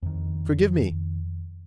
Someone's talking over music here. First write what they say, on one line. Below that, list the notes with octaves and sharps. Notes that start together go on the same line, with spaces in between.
Forgive me!
F2 D#3